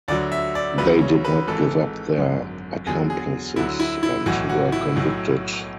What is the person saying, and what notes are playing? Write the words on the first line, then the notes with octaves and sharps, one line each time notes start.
They did not give up their accomplices and were convicted.
D2 D3 F#3 D5
E5
D5
D2 C#3 F#3 B4
C#5
B4
G#1 G#2 E3 A4
G#1 F#2 D3
E2 D3 F#3 G#4
G#4
D2 D3 F#3 E4
E4
E4
B1 A2 E3 F#4
F#4
E4
B1 A2 F#3